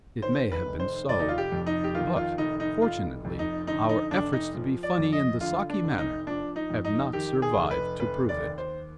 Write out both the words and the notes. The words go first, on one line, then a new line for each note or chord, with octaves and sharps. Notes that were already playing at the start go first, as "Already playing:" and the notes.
It may have been so; but, fortunately, our efforts to be funny in the Saki manner have not survived to prove it.
D#3 C5
B4
F1
C5
F1 D5
D#4
F4
G4
F2
D#4
G4
D#3 F4
F4
F1 D#4
D#4
F1 F4
F2
D#4
D3 D#4
D#4
F1 D4
D#4
F3
D5
F2
D#5
D3 F4
D4
F1
D#4
F3 D4
D#4
F2
D#4
D#3 G4
G#4
F1
B4
F1 B4
D5
D#2
C5